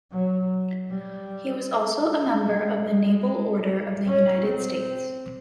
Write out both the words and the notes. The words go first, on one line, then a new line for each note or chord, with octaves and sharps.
He was also a member of the Naval Order of the United States.
F#3
G3
G3
G#3
C#4
C4